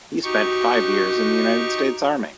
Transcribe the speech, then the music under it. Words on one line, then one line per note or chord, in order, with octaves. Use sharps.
He spent five years in the United States Army.
D#4 F#4 G4 C#6